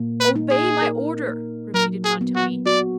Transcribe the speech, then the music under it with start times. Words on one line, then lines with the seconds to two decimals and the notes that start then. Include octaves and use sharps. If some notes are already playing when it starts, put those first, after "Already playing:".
'Obey my order,' repeated Montoni.
Already playing: A#2 A#3
0.21 B4
0.36 D#4
0.51 G#4
0.82 A#4
1.29 A#3
1.74 F#3 A#4
2.05 G#4
2.21 B3
2.36 F#4
2.66 F#4 D5